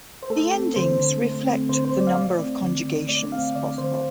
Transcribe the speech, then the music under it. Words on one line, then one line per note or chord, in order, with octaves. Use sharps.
The endings reflect the number of conjugations possible.
C5
A3 A4
C4
D3 C5
D3
A3
C4
D3 C5
C5
D3
D5
F5
A3 D5
C4
D3
D3
A3 D5
C4 F5
D3 D5
D3 C5